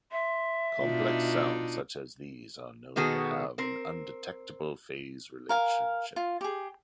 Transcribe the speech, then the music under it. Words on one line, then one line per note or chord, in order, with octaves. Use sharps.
Complex sounds such as these are known to have an undetectable phase relationship.
E5 C6
B2 D4 D#4 F4
B2 D#3 B3 F#4 G#4 A4
C4 A#4
A#4 F5 G#5
F4
G4 G#4